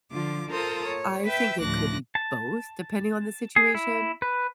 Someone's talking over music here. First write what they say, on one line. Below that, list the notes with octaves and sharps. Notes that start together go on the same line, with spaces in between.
I think it could be both depending on the situation.
D3 F3 F4 D6
F4 A4 A#4 C5 A#5 D#6
C#5
B4 E5 G5 E6
D2 A2 F3 D6 F#6 A#6
A5
G#4
E4
B4